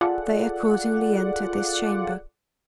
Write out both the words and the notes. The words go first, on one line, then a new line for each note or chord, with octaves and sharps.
They accordingly entered his chamber.
F4 G#4 A4 D5 F#5